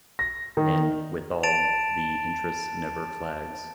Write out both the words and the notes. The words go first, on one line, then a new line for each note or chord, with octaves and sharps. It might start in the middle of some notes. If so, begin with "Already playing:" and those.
And withal the interest never flags.
A#6
D#3
A5 A6 D7 E7 F7